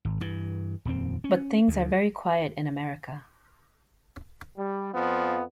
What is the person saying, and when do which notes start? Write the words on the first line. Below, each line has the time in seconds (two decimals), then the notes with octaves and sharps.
But things are very quiet in America.
0.05 G#1
0.21 G2 E3
0.85 D#1 F2 C4
1.24 C#4
1.68 D2
4.57 G3
4.94 F2 F3 B3